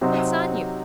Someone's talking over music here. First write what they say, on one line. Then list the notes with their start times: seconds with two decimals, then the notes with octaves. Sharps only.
What's on you?
0.01 C3 F#3 C4 D#4